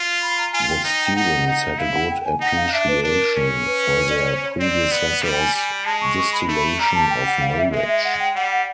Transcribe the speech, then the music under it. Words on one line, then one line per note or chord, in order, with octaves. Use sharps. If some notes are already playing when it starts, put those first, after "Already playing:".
The students had a good appreciation for their predecessors' distillation of knowledge.
Already playing: F4
B5
A#5
F4 G#5
G5
D#4
G5
D#4 F#5
D#4
E4 F5
F#5
G5
G#5
D#4 F#5
F5
D4 E5
B4
D4 A#4
C#4
B4
D5
C#5
C5
C#5
C#5
C4 D5
B3
G3
G5
G#5
G3
G#3 A5
C#6
C#6
B5
A3
G3 A#5
A5
G5
F#5
F5
E5
G#3 E5
E5
F#5
G5
G3 F#5
F#5